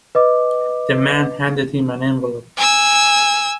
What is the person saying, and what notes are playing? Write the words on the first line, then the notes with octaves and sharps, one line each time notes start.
The man handed him an envelope.
B4 D#5 D6
G#5 E6